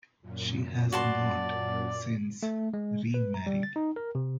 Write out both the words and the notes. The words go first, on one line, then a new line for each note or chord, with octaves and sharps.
She has not since remarried.
F#2 A#2
F#4 D5 A5 C6
A3
G#3
B4
A#5
G3
A6
D#4
A#4
C3